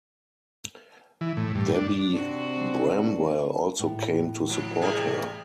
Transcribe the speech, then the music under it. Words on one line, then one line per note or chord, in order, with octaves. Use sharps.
Debbie Bramwell also came to support her.
E3
A2
G2
D4
C3 C4 D4 F#4
A2 E3
F3
C3 G3 G#4